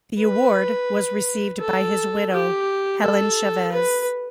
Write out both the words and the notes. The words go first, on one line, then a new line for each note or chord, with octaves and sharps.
The award was received by his widow, Helen Chavez.
B4
A4
G4
A4
B4